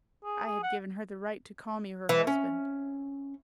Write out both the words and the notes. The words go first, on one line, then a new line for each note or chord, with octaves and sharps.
I had given her the right to call me her husband.
G#4
G#4
F#5
E3
C#4